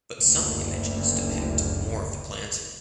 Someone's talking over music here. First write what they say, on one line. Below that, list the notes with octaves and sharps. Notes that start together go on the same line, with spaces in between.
But some images depict more of the plant.
F#1 D2